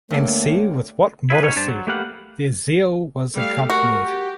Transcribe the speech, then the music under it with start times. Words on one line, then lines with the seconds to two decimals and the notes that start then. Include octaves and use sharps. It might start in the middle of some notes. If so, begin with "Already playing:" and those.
And see with what modesty their zeal was accompanied.
0.11 G2 D3 A3 A#3 C#5
1.30 E4 F4 G#4 B4
1.43 C#4 D#4 C#5
1.56 G2 D4 C5 A5
1.68 F#3
1.87 A3 A#3 G4 B4 F5 F#5
3.34 G3 A3 F5
3.70 F#4 A#4
4.05 G4